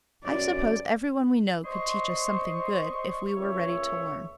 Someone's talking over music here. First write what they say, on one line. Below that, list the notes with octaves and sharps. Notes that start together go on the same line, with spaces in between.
I suppose everyone we know could teach us something good, if we were ready to learn.
F#2 D5
C5 D5 D#5 C6 C#6
C#2 A#2 C#5 E5